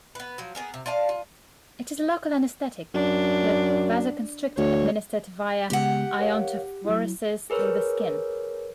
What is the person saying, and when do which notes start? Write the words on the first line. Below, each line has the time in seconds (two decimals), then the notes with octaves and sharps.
It is a local anesthetic with vasoconstrictor, administered via iontophoresis through the skin.
0.15 B3 B4
0.38 F3 F#3
0.55 B3 G#4 A#4
0.74 C3
0.86 F4 D5 F5 A5
1.09 F4
2.94 F#2 D4
4.58 D2 C#5
5.70 C#3 G#3 B3 G4 F#5
6.19 A#4 C#5 F5
6.85 F#3 E4
7.50 G#4 A#4 B4 C#5